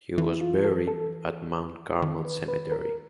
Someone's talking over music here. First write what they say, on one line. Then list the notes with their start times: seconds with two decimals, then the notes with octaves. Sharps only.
He was buried at Mount Carmel Cemetery.
0.18 E3 E4
0.41 F4
0.64 A4
0.88 A4
2.02 D#3
2.25 B4
2.48 B4
2.72 A#4